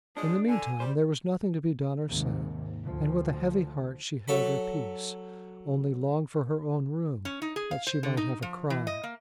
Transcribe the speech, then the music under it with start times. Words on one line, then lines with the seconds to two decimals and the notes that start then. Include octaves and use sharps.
In the mean time there was nothing to be done or said; and with a heavy heart she held her peace--only longed for her own room, that she might have a cry.
0.17 F3 F#3 G#3 D4 D#6
0.48 D3 G#5
0.80 G3 C5
2.06 D#2 G#2 C3
2.83 D2 F3
4.28 F#3 A4 B5
7.25 C#4
7.42 D#4
7.56 G#4
7.71 F5
7.87 C5
8.03 D3
8.17 D#4
8.42 F3
8.70 E3
8.87 D#5
9.04 A#3